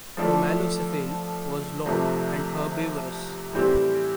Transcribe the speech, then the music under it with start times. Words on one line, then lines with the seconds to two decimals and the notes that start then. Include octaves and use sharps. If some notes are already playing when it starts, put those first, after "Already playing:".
"Homalocephale" was long and herbivorous.
0.17 F3 A3 E4 A4 D5
1.85 C2 C3 F3 A3
3.53 A2 E3 G3 C4 G4